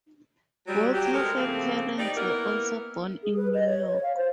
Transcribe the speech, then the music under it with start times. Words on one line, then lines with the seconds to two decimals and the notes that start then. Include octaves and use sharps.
Both of her parents were also born in New York.
0.67 F#3 G3
0.94 F#3 G4
1.13 G#3 C4 A4 A#4
1.36 C#3 F3 A3 A#3 C4
1.98 D#4 G4 D5
2.16 A#3 B3 E4 A#4
3.23 G#4
3.37 B4
3.54 D#5
3.67 C#5
3.88 C#5
4.03 F5
4.16 C5